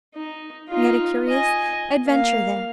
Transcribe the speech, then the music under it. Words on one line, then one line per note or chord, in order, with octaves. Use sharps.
We had a curious adventure there.
D#4
D#4 F4
D#5 G#5
A#3 F5